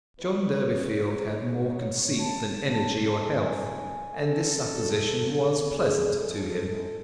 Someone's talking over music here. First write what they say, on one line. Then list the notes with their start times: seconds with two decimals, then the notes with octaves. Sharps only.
John Durbeyfield had more conceit than energy or health, and this supposition was pleasant to him.
0.18 E2 B2 A3 B4
0.68 C#2 C#3 E3 B3 D#4 C#5
1.18 G#2 F#3 C#4 E4
1.68 G#2 E3 G#3 D#4 C#5
2.18 F#2 E3 A3 E4 A5
2.68 F#1 E2 B2
3.17 G#2 F#3 B3 E4 G#5
3.67 F#2 C#3 G#3 B3 D#4
4.17 F#1 F#2 D#3 G#3 A4
4.67 F#1 F#2 D#3
5.17 D#2 C#3 F#3 A4
5.67 C#2 B2 F#3 B3 G#4
6.17 A1 A2 G#3 C#4 A4
6.67 D#2 C#3 G#3 B3 E4 A4